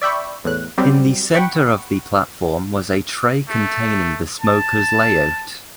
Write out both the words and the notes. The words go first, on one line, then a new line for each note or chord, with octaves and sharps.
In the center of the platform was a tray containing the smoker's layout.
D5 E5 G5 B5 C#6
E2 A2 F#6
F#3 G3 C4 G4
F#5 G5 B5 C#6
A3
A5